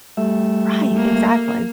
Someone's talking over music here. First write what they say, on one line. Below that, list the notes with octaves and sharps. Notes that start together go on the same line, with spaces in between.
Right, exactly.
G3 A3 E5
A#3